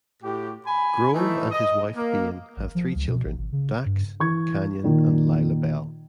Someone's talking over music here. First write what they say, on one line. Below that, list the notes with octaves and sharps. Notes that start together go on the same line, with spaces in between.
Grove and his wife Bane have three children; Dax, Canyon, and Lilah Belle.
A2 F#4 G4
G#5 B5
E3 A3 D#4 E4
D#5
A#3
A1
F3
C#2
B2
A1
G#1
C#3
G2
E3 C#6 G#6
A#2 D#3 D#4